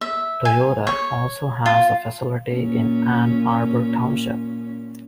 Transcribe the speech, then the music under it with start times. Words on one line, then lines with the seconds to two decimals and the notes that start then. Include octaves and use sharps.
Toyota also has a facility in Ann Arbor Township.
0.01 E5
0.45 G#5
0.87 C#5
1.66 F4
2.52 A#2 C#4